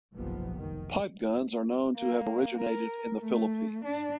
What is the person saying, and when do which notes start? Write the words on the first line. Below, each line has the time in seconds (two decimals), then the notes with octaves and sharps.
Pipe guns are known to have originated in the Philippines.
0.13 F#1 B1 G#2 C3 F3 B3
0.56 F1 D#3
1.97 A#3
2.56 A#4
3.22 A3
3.84 D4